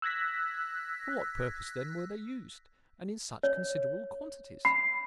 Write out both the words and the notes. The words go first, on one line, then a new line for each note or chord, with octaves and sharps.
For what purpose, then, were they used, and in such considerable quantities?
E6 F#6 G#6 A#6 B6
C#5
B5 C7